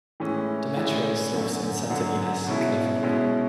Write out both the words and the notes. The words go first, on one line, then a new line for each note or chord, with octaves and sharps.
Demetrios lives in Santa Ynez, California.
A2 E3 G#3 C#4
A2 E3 G#3 C#4
F#2 D3 F#3
F#2 D3 F#3
B2 G#3 C#4 E4
B2 G#3 C#4 E4